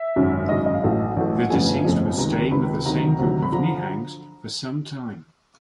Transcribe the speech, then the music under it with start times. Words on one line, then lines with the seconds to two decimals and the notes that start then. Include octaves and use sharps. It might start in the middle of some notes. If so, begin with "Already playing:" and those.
The deceased was staying with the same group of Nihangs for some time.
Already playing: E5
0.16 G#1 F#2 C#3 F#3
0.49 G#1 F#2 C#3 F#3 D#5
0.66 D#5
0.74 F5
0.84 A1 A2 F#3 A3
1.17 A1 A2 F#3 A3
1.50 G1 F2 C#3 F3 A3 G#5
1.84 G1 F2 C#3 F3 A3
2.17 C#2 C3 D#3 A#5
2.35 A#5
2.51 C#2 C3 D#3 B5
2.85 D2 C3 D#3 F#3 A#5
3.19 D2 C3 D#3 F#3
3.42 B5
3.52 D3 F3 A#5